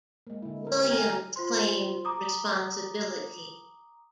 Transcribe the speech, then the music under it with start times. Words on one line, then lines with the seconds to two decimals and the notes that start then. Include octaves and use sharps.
Williams claimed responsibility.
0.27 G#3 A#3
0.42 D3 E4
0.64 G#4 A#4
0.79 G4
0.91 G#5 A#5 F6
1.36 F4 C5 C6
2.05 A#5 D6 D#6